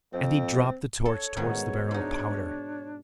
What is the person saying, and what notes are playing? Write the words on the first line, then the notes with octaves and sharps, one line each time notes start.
And he dropped the torch towards the barrel of powder.
F2 C4
A4 C#5
G#2 B2 D#3
G#2 D4 D#4